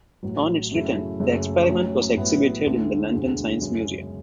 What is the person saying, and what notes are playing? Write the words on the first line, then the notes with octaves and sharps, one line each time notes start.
On its return, the experiment was exhibited in the London Science Museum.
A1 A2 F#3
F#2 C#3 F#3 A3 E4
F#1 F#2 C#3 F#3 A3
A1 A2 F#3 C#4
A1 A2 F#3 B3 E4
D2 D3 A3
E1 D2 D3 G#3
F#2 C#3 G#3